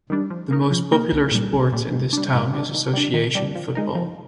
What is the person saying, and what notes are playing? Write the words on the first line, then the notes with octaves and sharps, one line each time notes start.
The most popular sport in this town is association football.
D#3 G3 D4
F3
A#3 D#4 A#4
F3
A#3 D#4 A#4
C2
A#2 G3
C2
A#2 G3
G#2
G3 D4
G#2
G3 D4
D#3
G3 D4
D#3
G3 D4
F3
G#3 D#4 A#4
F3